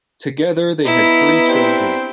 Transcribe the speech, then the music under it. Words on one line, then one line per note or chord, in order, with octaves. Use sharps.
Together they had three children.
B3 E4 D#5 A#5
C4 D4 G4